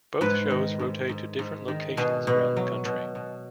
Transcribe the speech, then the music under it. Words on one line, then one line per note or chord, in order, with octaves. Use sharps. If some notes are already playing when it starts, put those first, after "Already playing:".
Both shows rotate to different locations around the country.
G#2 B4
D#3
G#2
G#2
G#2
D#3
B2 G#4
B2
F#3
B2
B2